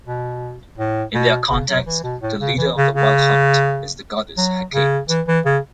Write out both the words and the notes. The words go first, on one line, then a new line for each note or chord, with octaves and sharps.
In their context, the leader of the Wild Hunt is the goddess Hecate.
B2
A2
B2
C#3
F#3
E3
B2
A2
C#3
E3
C#3
C#3
F#3
C#3
E3
E3
C#3